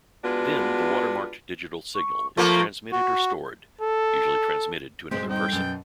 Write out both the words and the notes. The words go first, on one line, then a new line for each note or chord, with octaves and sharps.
Then the watermarked digital signal is transmitted or stored, usually transmitted to another person.
G#3 B3 D4 F4 F#4 B4
C#6
F3 A3 A#3 C#6
F#4
A4
G2 A#2 D3 G#3 C4 G4
C4 D#4 G5
F#2 B2